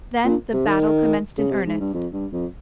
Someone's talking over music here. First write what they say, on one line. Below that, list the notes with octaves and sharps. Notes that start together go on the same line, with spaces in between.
Then the battle commenced in earnest.
A#2
C3
D#3
C#3
C3
G#2
G2
F2
G2
F2